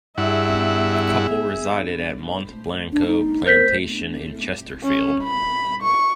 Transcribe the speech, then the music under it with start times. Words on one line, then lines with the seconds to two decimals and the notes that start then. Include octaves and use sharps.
The couple resided at Mont Blanco plantation in Chesterfield.
0.18 G2 E4 G#4 E5 F#5
2.93 D4
3.07 D#4
3.46 A#4 C5 G6 B6
4.83 C#4
5.24 B5
5.82 C#6